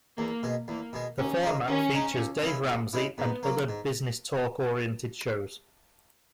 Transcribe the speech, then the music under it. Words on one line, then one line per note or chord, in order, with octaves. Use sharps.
The format features Dave Ramsey and other business-talk oriented shows.
E2 A#3
B2 G#3
E2 A#3
B2 G#3
D#2 C#4
C#3 G#3 D#4
D#2 C#4
C#3 G#3 D#4
C#2
C#3 G#3 C#4 E4
C#2
C#3 G#3 C#4 E4
G#2 B3
F#3 A#3
G#2